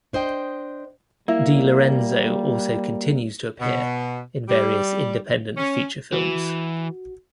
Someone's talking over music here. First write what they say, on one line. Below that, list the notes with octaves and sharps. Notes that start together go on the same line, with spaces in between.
DeLorenzo also continues to appear in various independent feature films.
D4 C5 D#5 G5
G3 A#3 E4
B2
G3
C#4
E3 F#4